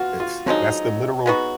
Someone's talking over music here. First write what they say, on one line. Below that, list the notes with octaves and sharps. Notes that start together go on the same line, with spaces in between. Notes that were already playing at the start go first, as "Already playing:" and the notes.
It's that's the literal
Already playing: B2 F4 F#4
F4
D3 F3 F#3 G#3 D#4
G#3 B3 D#4 F#4